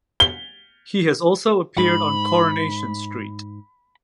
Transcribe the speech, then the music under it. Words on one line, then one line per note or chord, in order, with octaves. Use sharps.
He has also appeared on "Coronation Street".
G7
G#2 B5